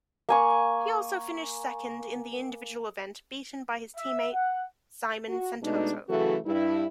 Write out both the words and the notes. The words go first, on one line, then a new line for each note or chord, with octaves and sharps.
He also finished second in the individual event, beaten by his teammate Simon Santoso.
A#3 G#5 C#6
E5
F#5
F#4
B2 G#3 A3 D4 D#4
C#3 E3 F#3 A3 F#4 A4
G2 E4